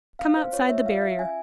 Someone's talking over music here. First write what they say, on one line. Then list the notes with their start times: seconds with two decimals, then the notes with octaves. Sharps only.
Come outside the barrier.
0.19 C#4 F5
0.36 C5
0.52 F4 C#5
0.69 E5
0.86 F4 F5
1.02 E5
1.18 C#4 G#5